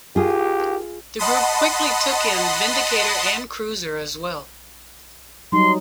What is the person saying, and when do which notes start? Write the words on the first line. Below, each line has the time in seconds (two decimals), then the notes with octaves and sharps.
The group quickly took in Vindicator and Cruiser as well.
0.16 F4 G4 G#4
1.19 D#5 F#5 A5 B5 C6 D#6
5.52 F#3 G3 D#4 C6